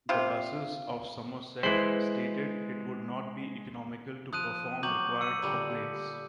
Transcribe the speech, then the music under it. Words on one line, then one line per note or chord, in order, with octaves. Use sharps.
The Buses of Somerset stated it would not be economical to perform required upgrades.
C3 F4
E3 G#3 C5 B6 F#7
F3 D#6 F#6 D#7
F#3 D6 G6 F#7
E6 C#7 D#7
A#2 D3 G3